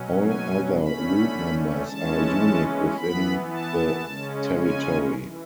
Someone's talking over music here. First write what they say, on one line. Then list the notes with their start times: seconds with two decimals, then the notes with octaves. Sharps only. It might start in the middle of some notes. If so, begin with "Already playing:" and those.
All other route numbers are unique within the territory.
Already playing: B2 F#3 C#4
0.24 G#5
0.79 D3 A3 C#4 B5
1.87 E3 G#3 C#4 A5
2.96 E3 B3 B5
3.51 A5
4.05 C#3 G#3 C#4
4.60 G#5
5.14 E3